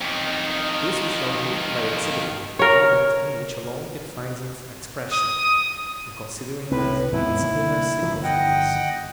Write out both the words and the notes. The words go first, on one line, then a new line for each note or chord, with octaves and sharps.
This we shall do by exhibiting the conduct in which alone it finds its expression, and considering it in its inner significance.
F2 D#3
A#4 C#5
D#6
C2 A2 C4 B4
D#2 G#2 B3 E4
C2 D#3 A#3
G1 D#3 F3
D#5 F#5 G5